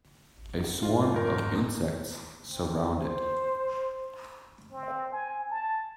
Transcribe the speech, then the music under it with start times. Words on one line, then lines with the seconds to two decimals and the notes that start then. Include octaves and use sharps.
A swarm of insects surround it.
0.83 F2 G#2 F4
1.14 G1 A#4
2.48 C4
2.95 C5
4.72 C4
5.12 G#5
5.50 A5